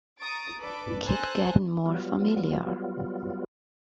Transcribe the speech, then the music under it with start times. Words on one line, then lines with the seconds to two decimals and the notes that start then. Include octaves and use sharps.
Keep getting more familiar!
0.19 A#5 C#6 D#6 A6 D7
0.61 D4 A4 B4 D6 D7
1.05 A4 C5 G#5 A#5 F#6
1.86 F#3 G3 B3 F4